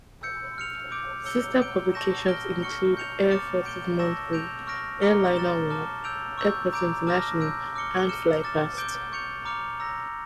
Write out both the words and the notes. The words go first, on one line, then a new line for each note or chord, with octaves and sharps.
Sister publications include "Air Forces Monthly", "Airliner World", "Airports International" and "FlyPast".
E6 G6 C#7
F6 C#7 F7
D6 G6 D7
E6 G6 C#7 G7
G6 D7 G7
A5 C#6 G6 A#6 E7
F6 A#6 D7 G7
C#6 F6 C#7 G7
G6 C#7 F7
D6 F6 A6 C#7 E7
G6 D7 G7
A5 C#6 E6 A#6 E7
G6 D7 F7
C#6 F6 A#6 D7
A#5 D6 F6 C#7 G7
F6 A6 E7 G7
A5 D6 F6
E6 G6 D7 F7
C#6 E6 G6
A#5 D6 G6 D7
A5 D6 F6 A#6
E6 G6 D7
D6 F6 C#7 G7
F6 C#7 E7 G7
D6 F6 A6 E7
D6 G6 D7 G7
C#6 G6 C#7 F7
A#5 D6 F6 C#7 F7
A#5 E6 A#6